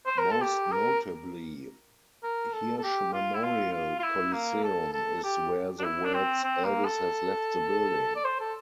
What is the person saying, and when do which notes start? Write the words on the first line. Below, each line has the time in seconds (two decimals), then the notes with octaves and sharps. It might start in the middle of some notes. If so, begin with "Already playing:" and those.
Most notably, Hirsch Memorial Coliseum is where the words Elvis has left the building!
0.06 C5
0.19 A#4
0.31 A4
0.42 G4
0.72 A#4
2.23 A#4
2.53 A4
2.78 A4
2.83 G4
3.13 F4
3.34 E4
3.43 F4
3.73 F4
4.00 F4
4.03 E4
4.33 A#3
4.64 A4
4.93 A4
5.24 G4
5.79 D4
5.84 E4
6.05 D4
6.14 C4
6.44 C4
6.64 A#3
6.85 A4
8.16 D5
8.25 C5
8.40 A4